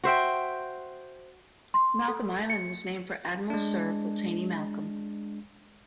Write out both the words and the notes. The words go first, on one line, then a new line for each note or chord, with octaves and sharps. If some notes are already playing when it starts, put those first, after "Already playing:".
Malcolm Island was named for Admiral Sir Pulteney Malcolm.
F#4 C5 E5 G5
C6
A4
C#7
G#3 D4